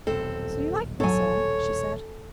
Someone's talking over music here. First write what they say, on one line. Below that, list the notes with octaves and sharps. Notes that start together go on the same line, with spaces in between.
"So you liked my song?" she said.
D#1 B1 C4 A4
G#2 F#3 A4 C#5 G#5